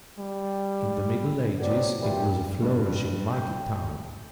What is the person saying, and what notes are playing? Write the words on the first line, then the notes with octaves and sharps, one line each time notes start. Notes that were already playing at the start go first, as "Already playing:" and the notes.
In the Middle Ages it was a flourishing market town.
G3
F#3 B3 C4 D4
A#2 E3 G3
G2
G5